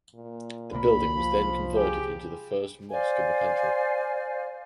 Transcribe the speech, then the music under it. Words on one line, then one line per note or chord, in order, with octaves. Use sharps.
The building was then converted into the first mosque in the country.
A#2
C2 C3 A#3 B5
F3
G4 G#4
C5 D5 F5 G#5